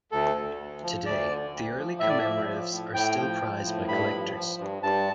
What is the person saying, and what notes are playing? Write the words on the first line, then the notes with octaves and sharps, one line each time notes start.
Today the early commemoratives are still prized by collectors.
D2 A4
D3
D2
F3
D2 D5
D3
D2
F3
A2 E5
D5
F3 E5
F3
A2
A2 G5
F3
F3
A2
G2 B5
F3
F3
G2
G2 A5